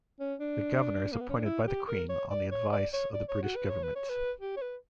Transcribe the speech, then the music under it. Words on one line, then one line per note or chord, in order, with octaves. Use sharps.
The governor is appointed by the Queen on the advice of the British government.
C#4
D4
A#3
B3
C#4
D4
E4
G4
A#4
C#5
D5
C#5
D5
C#5
D5
C#5
F#4
B4
C#5
B4
C#5
B4
G4
C#5
B4